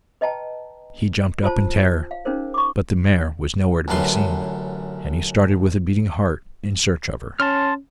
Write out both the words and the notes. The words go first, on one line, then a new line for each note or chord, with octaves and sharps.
He jumped up in terror, but the mare was nowhere to be seen, and he started with a beating heart in search of her.
B4 D#5 G5 A5 A#5
F4 C5 A5
F5
C#4 D#4 G#4 A#4 C5
C#6 D6
A1 F#2 D3 B4 C6
C#4 A5 C6 F6